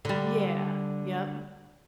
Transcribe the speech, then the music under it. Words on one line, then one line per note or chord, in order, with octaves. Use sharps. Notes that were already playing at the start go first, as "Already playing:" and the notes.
Yeah. Yep.
D3 G3